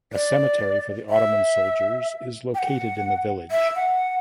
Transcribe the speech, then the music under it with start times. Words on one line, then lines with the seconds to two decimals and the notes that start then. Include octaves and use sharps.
A cemetery for the Ottoman soldiers is located in the village.
0.13 D5
1.10 E5
2.55 G5
2.59 F#5
3.51 E5
3.76 F#5